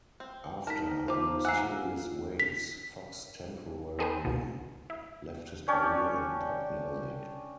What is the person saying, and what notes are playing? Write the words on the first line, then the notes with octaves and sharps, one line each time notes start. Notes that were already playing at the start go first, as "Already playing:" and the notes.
After "In Mysterious Ways", Foxx temporarily left his career in pop music.
C4
D#4 A#4 A5 B6
F3 F4 C5 D6
A#3 F#5 G#5 E6 C7
B6
C4 D#4 G#4 A4 B4 C5
C#2 B2
E4
C#4 D4 C#5 G5